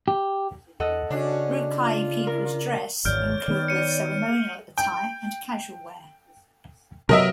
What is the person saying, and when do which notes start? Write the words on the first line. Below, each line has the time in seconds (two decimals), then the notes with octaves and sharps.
Rukai people's dress include both ceremonial attire and casual wear.
0.08 G4
0.80 E2 A4 D#5 F#5
1.10 C#3 C#4 D4 F#4
1.78 F4
2.27 A#4
3.05 G#1 E2 C#5 D5 F6 G6 D7
3.48 D#3 B3
3.68 C#7 D#7
4.78 G5
7.09 C3 F#3 B3 A#4 D#5 E5